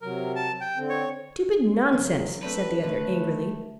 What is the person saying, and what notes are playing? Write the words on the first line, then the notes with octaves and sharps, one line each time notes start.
"Stupid nonsense!" said the other angrily.
C3 F#3 A#4
A5
G5
D3 C4
C#5
E2 C#3 F#3
A3 C4 D4 B4
D3 A3